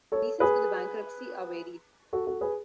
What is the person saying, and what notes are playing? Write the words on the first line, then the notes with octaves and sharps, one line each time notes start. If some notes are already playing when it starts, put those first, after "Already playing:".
Reasons for the bankruptcy are varied.
A4 C#5
G#4 B4
F#4 A4
F#4 A4
G#4 B4